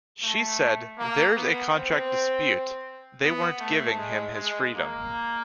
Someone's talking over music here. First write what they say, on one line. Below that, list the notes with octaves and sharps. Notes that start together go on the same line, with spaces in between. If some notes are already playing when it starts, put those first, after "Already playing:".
She said There's a contract dispute, they weren't giving him his freedom.
A3
A#3
B3
C4
B3
A3
G#3
G#3
A#3